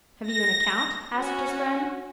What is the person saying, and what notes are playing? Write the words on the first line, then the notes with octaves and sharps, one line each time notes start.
"Have you an account?" asked his friend.
A#6
C#4 F#4